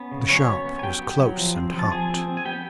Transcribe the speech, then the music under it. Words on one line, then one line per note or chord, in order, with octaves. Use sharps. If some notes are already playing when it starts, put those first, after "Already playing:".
The shop was close and hot.
Already playing: B3 C#4
C#3
F#3 C#4 C#5
B3
B3
G#5
F#3 G4 G5
B3
F#3
F3
C4
F3
A5
F3 G#4 G#5
C4
C4
G#5
B3 G4 G5